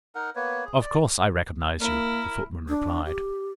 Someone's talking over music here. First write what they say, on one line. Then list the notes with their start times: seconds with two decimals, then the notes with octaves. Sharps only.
"Of course I recognise you," the footman replied.
0.15 D#4 A#4 F#5
0.36 A#3 B3 B4 C#5
0.65 G#4
0.82 D5
1.81 A#3 E4 A#4
2.69 D4
3.05 G4